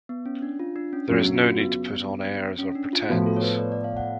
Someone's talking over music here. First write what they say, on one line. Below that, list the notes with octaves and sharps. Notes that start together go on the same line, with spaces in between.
There is no need to put on airs or pretense.
B3
C#4
D4
F4
D4
C#4
F#2 C#3 F#3 B3
D4
F4
F#4
B3
C#4
D4
F4
A2 F3 B3 F#4
A4
C#5
B4
D5
D5
F5
F#5